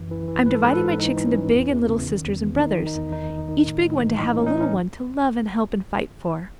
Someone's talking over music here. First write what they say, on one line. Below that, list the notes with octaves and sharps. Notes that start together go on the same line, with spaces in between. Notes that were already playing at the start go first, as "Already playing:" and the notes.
I'm dividing my chicks into big and little sisters and brothers, each big one to have a little one to love and help and fight for.
Already playing: F#2 E3
E3
E3
G#2 B4
A4
G#2 B4
A4
G#2
E3 D#4
E3
C#4
E3
E2
E2
C#3
D#3
E2
E2
D#3 D#4
D#3
D#4
E2
D#3 D#4
D#3
D#3
A2
A2
E3
A2 D#4
A2 C#4
D#4
E3
C#4